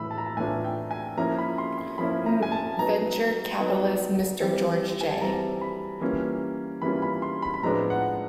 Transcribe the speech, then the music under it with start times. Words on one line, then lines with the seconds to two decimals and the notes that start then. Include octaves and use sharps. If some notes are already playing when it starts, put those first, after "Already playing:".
Venture Capitalists Mr. George J.
Already playing: A2 E3 A3 B5 E6
0.11 A5
0.18 A#5
0.26 A5
0.37 A2 E3 A3 D4 F4 G#5
0.64 G5
0.91 G#5
1.17 F3 A#3 C#4 E4 A#5
1.38 B5
1.58 C6
1.78 C6
1.98 F3 A#3 C#4 E4 B5
2.26 A#5
2.43 G#5
2.52 A5
2.79 F#3 B3 D#4 A#5
3.60 F#3 B3 D#4
4.40 E3 G3 C4
5.01 G#5
5.11 A5
5.21 E3 G3 C4 A#5
5.61 B5
6.01 E3 G3 A#3 C#4 F4
6.82 E3 G3 A#3 C#4 F4 B5
7.02 B5
7.22 C6
7.42 B5
7.54 B5
7.63 A2 F3 G#3 B3 D4 A#5
7.90 F#5